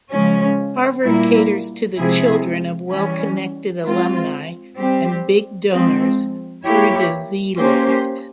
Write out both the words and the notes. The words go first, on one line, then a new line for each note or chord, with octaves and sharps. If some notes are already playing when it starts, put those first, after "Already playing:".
Harvard caters to the children of well-connected alumni and big donors through the "Z-list".
C#3 F3 G#3 C#4
A#2 G3 A#3 E4
C3 F3 G#3 E4 G#4
E3 G3 C#4
G#3 C4 F4
G3 C4 G4
F3 G#3 C4
A#3 E4 G4 C#5
A#3 C#4 G4 C5